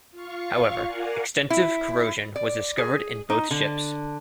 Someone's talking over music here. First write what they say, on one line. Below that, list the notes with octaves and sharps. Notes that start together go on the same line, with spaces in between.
However, extensive corrosion was discovered in both ships.
F4 F5 C#6
A#4 D5 F5 F#5 G#5
E4
D5
G#4
D#4
D3